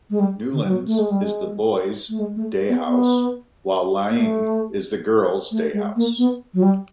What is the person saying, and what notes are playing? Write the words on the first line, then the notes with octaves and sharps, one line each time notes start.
Newlands is the boys' day house, while Laing is the girls' day house.
G#3
G3
D3
G3
F#3
A3
G#3
G3
G#3
A3
G#3
A3
B3
B3
A#3
A3
A3
G#3
A#3
B3
F#3
G3